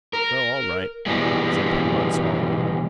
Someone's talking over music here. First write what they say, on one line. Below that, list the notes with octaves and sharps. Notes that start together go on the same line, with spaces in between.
"Well, all right," said Penrod, swallowing.
A#4
B2 E3 G3 G#3